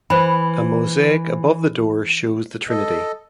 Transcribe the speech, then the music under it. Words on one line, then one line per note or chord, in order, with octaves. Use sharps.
A mosaic above the door shows the Trinity.
E3 C5 B5
A4 D#5